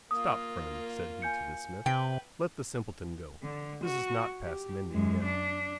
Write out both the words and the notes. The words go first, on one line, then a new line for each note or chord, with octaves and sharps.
"Stop, friend," said he to the smith, "let the simpleton go; this is not past mending yet."
A#3 F4 D#6
G#5 G6 C#7
C3 B4 G5
D3
F#4
G4
F#2 G#3
D4